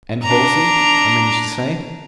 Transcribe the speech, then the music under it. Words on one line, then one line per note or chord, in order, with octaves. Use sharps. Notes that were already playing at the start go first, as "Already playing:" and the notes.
"And Halsey?" I managed to say.
D4 A#5